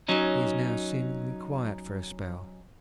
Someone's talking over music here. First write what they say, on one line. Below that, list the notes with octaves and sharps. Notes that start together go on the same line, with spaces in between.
He is now seemingly quiet for a spell....
F#3 C#4 D#4